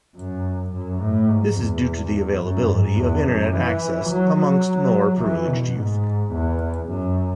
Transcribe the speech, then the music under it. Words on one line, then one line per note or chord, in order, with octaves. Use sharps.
This is due to the availability of internet access amongst more privileged youth.
F#2
F#2
A2
G#2
E2
F#2
G#2
E2
F#2
E3
F#3
F#3
E3
B2
G#2
E2
F#2